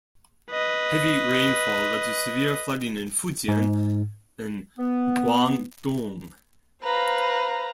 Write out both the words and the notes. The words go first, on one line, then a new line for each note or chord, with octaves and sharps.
Heavy rainfall led to severe flooding in Fujian and Guangdong.
B4 D#5
G#2
B3
B4 C5 F5 A#5